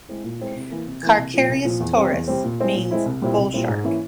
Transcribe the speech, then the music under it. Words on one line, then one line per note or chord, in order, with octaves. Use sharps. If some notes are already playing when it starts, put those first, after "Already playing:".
"Carcharias taurus" means "bull shark".
G#3 C4 E4
A#2
G#3 C4 E4
C3
E3 A#3
C3
E3 A#3
C2
A#2 F3
C2
A#2 F3
E2
C3 G3 C4
E2
C3 G3 C4
A#2
G#3 C4 E4
A#2
G#3 C4 E4
C2
A#2 G3 C4 E4
C2
A#2 G3 C4 E4
G#2
E3 A#3 C#4 E4